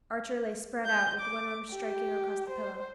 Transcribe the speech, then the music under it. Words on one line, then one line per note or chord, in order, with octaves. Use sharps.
Archer lay spread out, with one arm striking across the pillow.
G6
D6
G4
C5